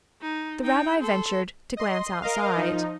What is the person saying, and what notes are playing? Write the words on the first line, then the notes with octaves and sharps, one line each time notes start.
The rabbi ventured to glance outside.
D#4
D#4 G5
A4 C6
D#5 C6
A#4 D#5 F5
F3 D#4